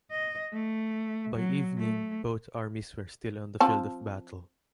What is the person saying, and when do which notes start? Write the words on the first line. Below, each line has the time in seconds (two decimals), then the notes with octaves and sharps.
By evening, both armies were still on the field of battle.
0.11 D#5
0.54 A3
1.35 F#3
1.78 A3
3.60 F3 C4 A5